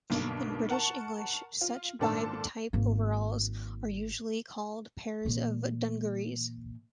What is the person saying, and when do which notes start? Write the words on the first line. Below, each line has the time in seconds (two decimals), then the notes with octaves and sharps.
In British English such bib type overalls are usually called pairs of "dungarees".
0.10 B1 G2 B2 D3 A#3
0.69 A#4 F#5 A5 C#6
1.61 F4
1.99 G#1 A#2 D4 A4 A5
2.73 G#1 A#3
5.25 A#2 E3